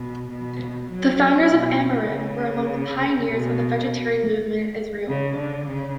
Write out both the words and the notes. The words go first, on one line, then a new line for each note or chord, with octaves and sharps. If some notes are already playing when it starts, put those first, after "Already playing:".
The founders of Amirim were among the pioneers of the vegetarian movement in Israel.
Already playing: B2
B2
F#3
B2
C#3
B2
C#3
D3
C#3